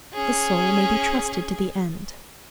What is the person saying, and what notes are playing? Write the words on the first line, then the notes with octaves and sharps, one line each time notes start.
The soul may be trusted to the end.
C#4 G#4